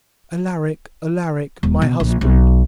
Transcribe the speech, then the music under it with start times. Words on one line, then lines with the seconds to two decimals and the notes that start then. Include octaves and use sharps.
'Alaric, Alaric, my husband!
1.63 D#1
1.82 B2
2.00 A#1
2.21 B1